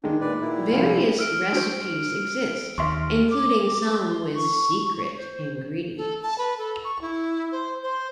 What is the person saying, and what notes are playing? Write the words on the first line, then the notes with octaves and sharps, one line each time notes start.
Various recipes exist, including some with "secret" ingredients.
D#3 G#3 D4
A#2 B4 D5
A#2 E4
C2 F3
E6 F6 D7
D4 F#4 C5
D#2 E5 C6 C#6
D6
C6
C#6
C5
A4
A5
B4
A4
C#6
E4
C5
C5